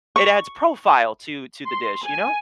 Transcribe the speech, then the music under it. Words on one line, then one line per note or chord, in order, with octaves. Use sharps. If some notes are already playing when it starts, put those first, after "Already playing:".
it adds profile to to the dish, you know?
C#6
C6
G#5